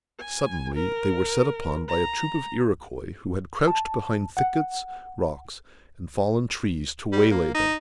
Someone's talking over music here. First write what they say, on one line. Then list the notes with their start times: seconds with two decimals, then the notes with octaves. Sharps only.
Suddenly they were set upon by a troop of Iroquois, who had crouched behind thickets, rocks, and fallen trees, to waylay them.
0.19 G#5
0.74 A#4
1.88 A#5
3.67 A5
4.37 F#5
7.13 G3
7.31 A#3
7.54 D#4